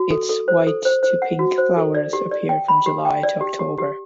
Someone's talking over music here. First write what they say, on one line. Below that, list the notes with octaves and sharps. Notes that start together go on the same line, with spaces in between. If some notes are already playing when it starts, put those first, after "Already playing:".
Its white to pink flowers appear from July to October.
Already playing: F#4
A4
A4
C5
A4
C5
C5
F#5
F#4
C5
A4
D5
G4
D5
G5
B5
G4
G5
D5
G4
G4
G4